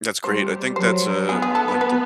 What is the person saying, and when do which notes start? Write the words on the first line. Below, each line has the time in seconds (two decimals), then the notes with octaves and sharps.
That's great. I think that's, uh, like, the
0.24 G3 C5
0.76 F#3 C5
1.29 B3 G#4
1.42 G#4
1.55 A4
1.68 B4
1.81 B4